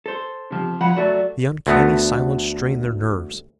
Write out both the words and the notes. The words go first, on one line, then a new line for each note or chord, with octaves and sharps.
The uncanny silence strained their nerves.
A4 C5
C3 F3
F3 F#3 F#5 B5
F#3 A3 F#4 D5
D2 A3 B3